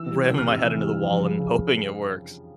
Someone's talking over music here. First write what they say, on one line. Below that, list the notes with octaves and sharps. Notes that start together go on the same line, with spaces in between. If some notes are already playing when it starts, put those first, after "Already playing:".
ramming my head into the wall and hoping it works.
Already playing: E3 E6
G3
C3
F6
C3 E6
E3
G3
F3
C#3
C#3